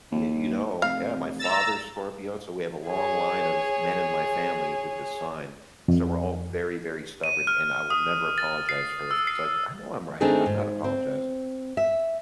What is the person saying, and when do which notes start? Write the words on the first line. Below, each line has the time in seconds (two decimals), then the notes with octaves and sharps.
You you know, yeah, my father's Scorpio, so we have a long line of men in my family with this sign so we're all very, very stubborn, and I will never apologize first it's like, "I know I'm right, I'm not apologizing."
0.12 D#2
0.82 F1 F5
1.39 A#5 E6 A6
2.87 G#4 C#5
5.88 F2
7.24 D#7
7.47 F6
7.90 D#6
8.38 A6
8.69 C7
9.11 E6
9.27 C7
10.21 D#3 A3 C4 D4 D#4 G#4
10.46 G#2
10.84 C4
11.77 E5